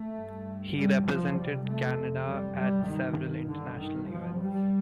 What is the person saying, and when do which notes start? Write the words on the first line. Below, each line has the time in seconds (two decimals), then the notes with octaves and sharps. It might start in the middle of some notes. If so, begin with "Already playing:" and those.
He represented Canada at several international events.
Already playing: A3
0.15 G2
0.75 G3
1.06 F3
1.36 F2 C3 G3
1.67 A3
2.27 G3
2.57 G2 G3
2.87 D#3
3.48 D3
3.78 G2 D#3
4.08 F3
4.39 G3